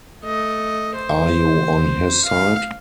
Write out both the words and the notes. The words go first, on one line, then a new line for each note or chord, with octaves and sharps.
Are you on his side?
A3 D#5
C5
F5